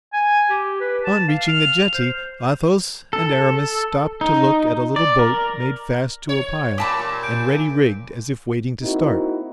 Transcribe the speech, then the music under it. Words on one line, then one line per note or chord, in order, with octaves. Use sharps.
On reaching the jetty Athos and Aramis stopped to look at a little boat made fast to a pile and ready rigged as if waiting to start.
G#5
G4
B4
A5
F5
F6
C5
A4
D#4
D5
A#4
C#5
A#2 G4 A5 B5 D6
A#2
G6 D7
A#3 C4 D#4 E4 F#4